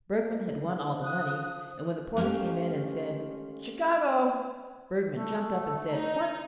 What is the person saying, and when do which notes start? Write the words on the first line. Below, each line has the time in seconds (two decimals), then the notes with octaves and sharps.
Bergmann had won all the money, and when the porter came in and said 'Chicago,' Bergmann jumped up and said: 'What!
0.25 F2
0.82 G#2
1.02 F3 D#6 F#6
2.17 G#3 A3 C#4 G4 F5
5.09 A3
5.89 D#4